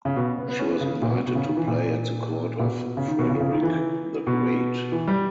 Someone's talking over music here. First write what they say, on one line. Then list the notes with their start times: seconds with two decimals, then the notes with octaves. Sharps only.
She was invited to play at the court of Frederick the Great.
0.05 C#3
0.16 B2
0.38 B3
0.48 B3
0.59 C#4
0.70 B3
0.81 C#3
1.02 A#2
1.11 B2
1.27 B2
1.35 C#3
1.46 D#3
1.57 E3
1.67 A#2
2.59 A#2
2.65 B2
2.97 C#3
3.08 D#3
3.19 B2
3.30 C#3
3.40 C#3
3.51 D#3
3.62 E3
4.27 B2
4.92 E3
5.08 G3